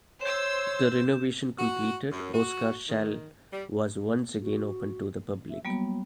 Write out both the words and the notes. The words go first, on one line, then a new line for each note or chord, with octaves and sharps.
The renovation completed, Oscarshall was once again open to the public.
C5 C#5 E6 G6 E7
F#4
F#2
F#4
D#3
G3
F#4
E5
F#3 G3 A#3 B3